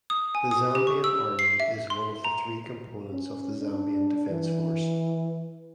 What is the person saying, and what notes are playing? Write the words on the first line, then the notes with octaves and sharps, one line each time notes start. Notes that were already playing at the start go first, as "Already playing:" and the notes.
The Zambian Army is one of the three components of the Zambian Defence Force.
D#6
G#5
D#6
G4
C#6
E6
C7
E5
C6
A#5
C#4
D4
E3